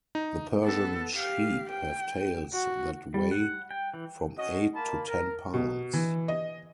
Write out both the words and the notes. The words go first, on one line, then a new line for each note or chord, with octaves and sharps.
The Persian sheep have tails that weigh from eight to ten pounds.
D#4
B3 A4
G4 F5
G5
F#4
G3
F#5
G5
E3
C#4 F#4 D#5
A#3 A#4 A5 B5
A#4
B2
E3
D#5